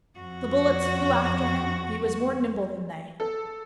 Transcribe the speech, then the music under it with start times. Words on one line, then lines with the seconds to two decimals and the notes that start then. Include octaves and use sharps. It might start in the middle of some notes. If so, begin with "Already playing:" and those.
The bullets flew after him, he was more nimble than they.
0.19 F2 F#4
3.20 A4